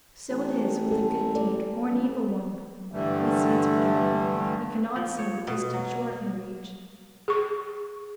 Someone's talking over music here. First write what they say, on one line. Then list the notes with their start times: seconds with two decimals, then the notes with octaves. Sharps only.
So it is with a good deed or an evil one; we see its beginning; we cannot see what distant shore it may reach.
0.29 A1
0.91 A4
1.36 D5
1.88 A1
2.92 G2 D3 E3 G3 A3
4.96 F3
5.19 C#5
5.47 B2
5.73 F#3
7.28 G#4 C#6